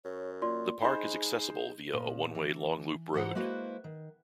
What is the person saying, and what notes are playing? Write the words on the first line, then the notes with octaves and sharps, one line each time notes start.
The park is accessible via a one-way long loop road.
F#2 C#5
A#3 F4 D5 C6
G#3 D#4 G#4 C5 B5
A#2
E3
G#2 E3 C5 F#5 A#5
G#3 A#3 E4 F#4 B4 C5
D#3